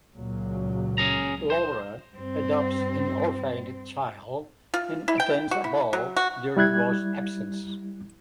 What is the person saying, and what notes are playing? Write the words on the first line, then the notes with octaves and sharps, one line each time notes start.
Laura adopts an orphaned child and attends a ball during Voss's absence.
C#2 A#2 F#3
C#4 G#4 A#5
C5
G2 C4
F4
E4
G5
F#4
E4
F#3
F#4
G3 E4 F#6 G#6